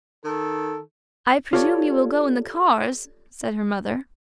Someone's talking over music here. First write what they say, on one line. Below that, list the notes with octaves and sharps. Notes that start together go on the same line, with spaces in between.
"I presume you will go in the cars," said her mother.
D#3 A4
F4 G4 A4 C#5 D5